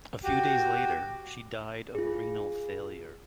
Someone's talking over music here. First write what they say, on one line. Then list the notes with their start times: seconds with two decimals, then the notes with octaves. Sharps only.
A few days later, she died of renal failure.
0.23 F#4 G4
1.95 F4 G#4